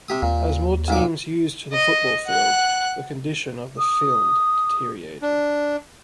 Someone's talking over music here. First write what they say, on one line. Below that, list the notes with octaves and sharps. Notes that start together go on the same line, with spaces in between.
As more teams used the football field, the condition of the field deteriorated.
C3 G4 D#6
D#2 A#2
B1 A#2 D6
D#5
F#5 F#6
D#6
D4